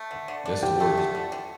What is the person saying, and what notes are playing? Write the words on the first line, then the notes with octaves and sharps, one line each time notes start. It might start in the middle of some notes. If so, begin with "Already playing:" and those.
Like, that's the worst.
Already playing: A3
D3
D3
D4
D3 G4 G5
A3
D3
D3
D3